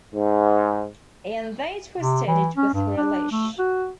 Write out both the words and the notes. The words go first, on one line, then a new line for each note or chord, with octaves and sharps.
And they twisted it with relish.
G#2
C3
E3
C#4
G2
D4
A3
F#4